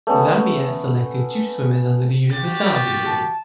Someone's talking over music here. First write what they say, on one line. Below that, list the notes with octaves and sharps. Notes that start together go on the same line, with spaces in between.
Zambia selected two swimmers under the Universality rule.
A3 B3 C#4
F#4 G4 A6
A5